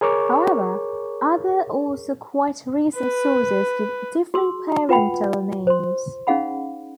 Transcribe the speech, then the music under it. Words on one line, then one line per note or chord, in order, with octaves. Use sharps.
However, other also quite recent sources give differing parental names.
G#4 A#4 C#5 C#6 D6
B4
F#4 G#4 C6 E6
F4 B4 F#5 G5 B5
C5 C6
C#4 D#4 G#4 F5 F#5 B5